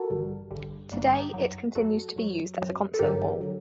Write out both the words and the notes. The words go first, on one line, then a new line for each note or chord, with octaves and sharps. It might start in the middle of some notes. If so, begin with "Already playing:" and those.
Today, it continues to be used as a concert hall.
Already playing: F#4 A4 A#4
A1 G2 D3 G3
A1 G2 D3 G3
A1 G2 D3 G3 A#3 D4
D#4 G4
F#2 F#3
F#2 F#3 F#4 A4
F#2 F#3
F#2 F#3
A4
A1 G2 D3 F#3 G4 A#4
D3 F#3